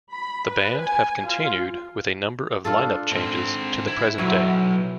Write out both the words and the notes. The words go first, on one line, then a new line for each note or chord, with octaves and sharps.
The band have continued, with a number of lineup changes, to the present day.
B5
B4
G#5
F4
D4 F4 A4
G#2 C4
E4
B1 F#3 E4